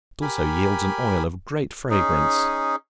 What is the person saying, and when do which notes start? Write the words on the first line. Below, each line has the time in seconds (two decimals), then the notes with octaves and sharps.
It also yields an oil of great fragrance.
0.22 G4 A#4 G#5 B5
1.90 C#4 D#4 G#4